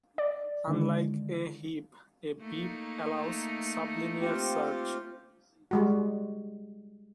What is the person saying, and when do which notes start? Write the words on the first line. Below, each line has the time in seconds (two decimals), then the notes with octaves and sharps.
Unlike a heap, a beap allows sublinear search.
0.18 D5
0.68 D3 D#3 G#3
2.41 A3 A#3 D#4
4.20 C4 F4 G4
5.71 G3 G#3 F#4